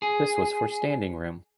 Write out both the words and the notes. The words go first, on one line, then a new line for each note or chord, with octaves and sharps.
This was for standing room.
G#4